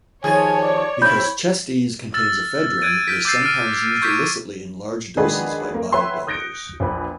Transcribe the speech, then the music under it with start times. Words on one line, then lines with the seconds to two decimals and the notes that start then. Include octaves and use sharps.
Because ChestEze contains ephedrine, it is sometimes used illicitly in large doses by bodybuilders.
0.24 D#2 F3 G#4 C#5 G#5
0.62 D5
1.02 C4 E4 B5 G6
2.14 E6 F6 A6
2.82 F#6 G#6 D7 D#7
3.07 F6 G6 G#6 B6 D7
3.25 D6 E6 G6 A6 C7
3.43 F6 D7 D#7
4.02 C#6 G6 G#6 B6 D7 D#7
5.17 D#3 G#3 D4 F#4 G#4 B4
5.74 A#3
5.92 B4 C#5 E5 F#5 G5 C6
6.27 D#6 F#6 G6 A#6 C#7 D7
6.80 A#1 E2 B4 B5